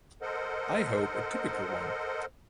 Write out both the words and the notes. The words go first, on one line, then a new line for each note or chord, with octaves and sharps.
I hope a typical one.
A4 A#4 C5 D#5 F#5